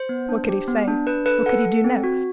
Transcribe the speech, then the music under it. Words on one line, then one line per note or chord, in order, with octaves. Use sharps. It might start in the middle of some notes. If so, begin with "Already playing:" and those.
What could he say; what could he do next?
Already playing: C5
B3
D4
G4
B3
D4
D4 B4
A4 B4
A4 F#5
A4
C4
F#4